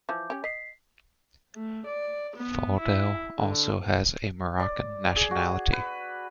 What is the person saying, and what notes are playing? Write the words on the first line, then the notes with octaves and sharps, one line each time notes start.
Faudel also has a Moroccan nationality.
E3 F3 D6 G6
C#4 G4
D#5 B6 C7
A3
D5
B3
E4
D3
D5
G#4
F#4
B4